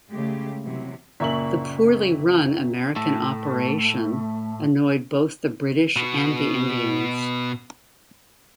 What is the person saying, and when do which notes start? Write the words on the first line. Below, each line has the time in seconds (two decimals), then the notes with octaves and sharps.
The poorly run American operation annoyed both the British and the Indians.
0.11 C#3 G#3 A3 G4
0.64 C3 E3 F#3
1.20 F#1 A#2 A#3 E5 G#5 C#6 F#7
2.96 A2 A3
5.96 B2 F#4